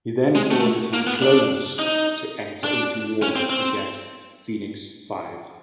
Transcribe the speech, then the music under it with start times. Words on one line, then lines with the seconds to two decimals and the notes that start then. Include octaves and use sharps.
He then orders his clones to enter into war against the Phoenix Five.
0.35 G#3
0.51 A3
0.93 A#3
1.07 B3
1.22 D4
1.79 D#4
2.64 D4
3.22 C#4
3.36 C4
3.50 C4